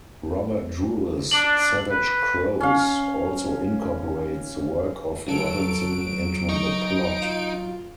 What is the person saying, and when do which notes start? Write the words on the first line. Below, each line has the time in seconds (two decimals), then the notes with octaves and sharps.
Robert Drewes' 'Savage Crows' also incorporates the work of Robinson into the plot.
1.31 D4 D5 F#7
1.91 B4
2.60 C#4 F5
5.28 F#3 A4 D7
6.49 D#4 C#6
7.22 F4